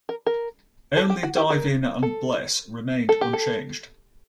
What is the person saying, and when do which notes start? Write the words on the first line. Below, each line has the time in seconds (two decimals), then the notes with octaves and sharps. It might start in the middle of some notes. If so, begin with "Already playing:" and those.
Only "Dive In" and "Bless" remained unchanged.
0.09 A#4
0.26 A#4
0.97 A4
1.10 G4
1.23 F#4
1.37 G4
1.50 A#4
2.03 A4
3.09 A4
3.21 G4
3.33 A4